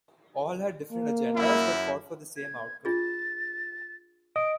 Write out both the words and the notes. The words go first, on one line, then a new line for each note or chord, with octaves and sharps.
All had different agendas but fought for the same outcome.
A#3
F#2 E4
G#6
D4 F4 G#4 A6
D#5 D#6 D7